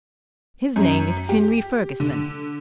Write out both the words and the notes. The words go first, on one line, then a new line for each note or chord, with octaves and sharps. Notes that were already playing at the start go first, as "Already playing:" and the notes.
His name is Henry Ferguson.
F#2
G4
D3